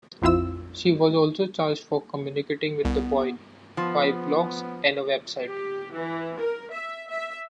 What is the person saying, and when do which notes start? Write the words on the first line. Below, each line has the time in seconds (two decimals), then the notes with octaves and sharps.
She was also charged for communicating with the boy via blogs and a website.
0.22 A#1 F2 C4 E4 F4 E6
2.85 C2 B3
3.77 F3 B3
5.46 G4
5.94 E3
6.41 A#4
6.72 E5
7.11 E5